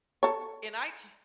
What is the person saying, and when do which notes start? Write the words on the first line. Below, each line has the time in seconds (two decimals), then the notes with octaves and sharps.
And I to
0.23 A4 C#5